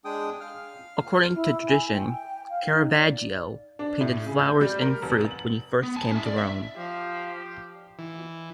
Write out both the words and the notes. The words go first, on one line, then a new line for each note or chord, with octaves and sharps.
According to tradition Caravaggio painted flowers and fruit when he first came to Rome.
G#3 D4 G#4 G5 D#6
F5 F6
E4
G#5
G5
F5
D#4
D5
D4
A2
C#3
G6
G3
A#4
F1
F#7
B3
G#5 A5
C#4 E4
D5
E5
F3 G4
E3